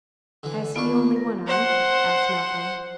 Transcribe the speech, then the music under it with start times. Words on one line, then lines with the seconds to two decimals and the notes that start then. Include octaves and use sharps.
"Has he only one arm?" asked Malcolm.
0.43 D3 E3
0.76 D#2 B3 D4 F4 C#6
1.14 A#4 B4
1.47 C5 F#5